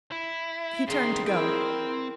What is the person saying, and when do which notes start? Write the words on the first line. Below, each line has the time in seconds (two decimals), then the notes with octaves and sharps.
He turned to go.
0.12 E4
0.88 G2 D#3 G#4 C6
1.27 C4 E4 A#4 G5